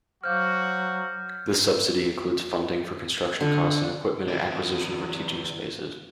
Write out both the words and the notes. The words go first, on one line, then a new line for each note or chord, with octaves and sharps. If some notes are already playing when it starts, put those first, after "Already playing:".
This subsidy includes funding for construction costs and equipment acquisition for teaching spaces.
F#3 F#4 C5 F5 D6 F6 G6
D3
E3 D5